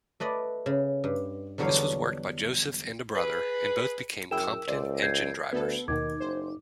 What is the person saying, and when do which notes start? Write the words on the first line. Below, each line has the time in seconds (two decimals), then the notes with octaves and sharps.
This was worked by Joseph and a brother and both became competent engine-drivers.
0.20 A3 B4 D5 D#5
0.66 C#3
1.04 G2
1.58 E2 D3 F#3 G3 C#5 F5
3.16 G#4 B4
4.31 F#2 E4 G#4 A#4 G5 E6 E7
4.68 C#2 C5 D5
5.02 G6 G#6 C7
5.53 D2 B3 A4 B4
5.88 D#2 B2 D#3 D#4 D6 G#6
6.20 F#1 C5